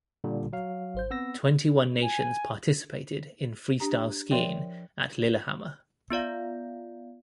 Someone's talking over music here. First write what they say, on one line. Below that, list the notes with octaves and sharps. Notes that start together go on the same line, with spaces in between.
Twenty-one nations participated in freestyle skiing at Lillehammer.
A#2 D3 G3
F#3 F5
G#1 C5 G6
B3 C4 E6 A#6
G#5
D4 G4 A#5
F3 A#4 C#5 D5 E5 G5
B3 F4 D5 F5